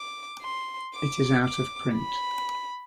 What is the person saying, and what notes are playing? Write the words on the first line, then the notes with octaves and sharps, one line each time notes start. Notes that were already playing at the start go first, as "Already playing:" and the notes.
It is out of print.
Already playing: D6
C6
D6
D6
B5